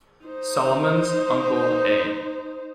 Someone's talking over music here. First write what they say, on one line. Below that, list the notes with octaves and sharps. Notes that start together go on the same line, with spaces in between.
Solomon's uncle, A.
D#4 C5